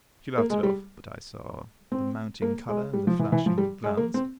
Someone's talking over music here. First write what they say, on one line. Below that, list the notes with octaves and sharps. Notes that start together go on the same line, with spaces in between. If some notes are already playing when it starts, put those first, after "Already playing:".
She laughed it off, but I saw the mounting color and the flashing glance.
A#3
G#3
G3
C4
A#3
G#3
G3
F3
E3
E3
F3
G3
G#3
A#3
C4